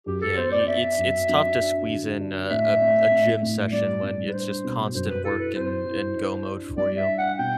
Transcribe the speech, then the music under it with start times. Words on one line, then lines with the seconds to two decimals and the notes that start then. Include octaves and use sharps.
yeah, you it's it's tough to squeeze in a a a gym session when it's just constant work and and go mode for you.
0.06 F#2 G4
0.22 A4
0.37 B3 C5
0.52 D5
0.67 B3 E5
0.98 F#2
1.29 F#3
1.60 D4
1.89 D3
2.20 D4
2.50 A2 E5
2.82 A3
3.11 A3
3.42 A2
3.72 G3 D5
4.03 G3
4.29 B4
4.33 D4 C5
4.64 B2
4.94 F#2 C5
5.10 B4
5.25 E4 A4
5.40 B4
5.55 C4 C5
5.85 E4
6.17 D4
6.47 D4
6.77 G3 D5
6.98 E5
7.08 D4
7.18 F#5
7.39 B2 G5